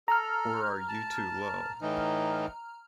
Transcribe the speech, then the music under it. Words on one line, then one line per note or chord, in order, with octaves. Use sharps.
Or are you too low?
A4 A#5 F6
A5
A2 E3 D#4